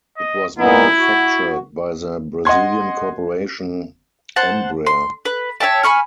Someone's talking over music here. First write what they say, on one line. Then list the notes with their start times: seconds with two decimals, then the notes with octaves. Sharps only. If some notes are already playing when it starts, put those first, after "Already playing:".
It was manufactured by the Brazilian corporation Embraer.
0.18 D#5
0.58 A#2 B3 D#4 E4
0.98 F#4
2.45 D#5 F#5 C6 G#6
4.36 C5 F#5 A5
4.86 C6
5.25 B4
5.60 C#5 E5 G5 A5
5.83 G#5 B5 C#6 F6